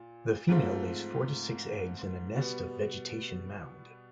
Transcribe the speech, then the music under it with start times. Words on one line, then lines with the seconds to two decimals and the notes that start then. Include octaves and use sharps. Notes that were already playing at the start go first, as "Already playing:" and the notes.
The female lays four to six eggs in a nest of vegetation mound.
Already playing: A#2
0.49 G#2 F3 A3 C4 F4
2.35 B2 G3 B3